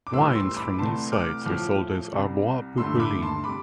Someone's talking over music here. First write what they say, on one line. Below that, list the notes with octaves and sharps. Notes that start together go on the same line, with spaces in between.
Wines from these sites are sold as Arbois-Pupillin.
D6
A2 E3 G3 C6 E6
C6 E6
B5 D6
B5
C2 C3 E3 A3 A5 C6
D6 F6
A2 F3 A3 D6 F6
C2 C3 G3
G2 D3 A3 C6 E6
B5 D6
A5 C6
C3 G3 B5 D6